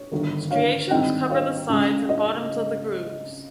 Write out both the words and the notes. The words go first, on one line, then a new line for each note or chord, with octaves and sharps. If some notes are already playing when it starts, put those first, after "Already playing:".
Striations cover the sides and bottoms of the grooves.
Already playing: C#5
G1 G2 D#3
C#5 F5
G#1 G2 G3 C4 D#4 D#5 G5
C#5 F5
C#2 C#3 G#3
D#5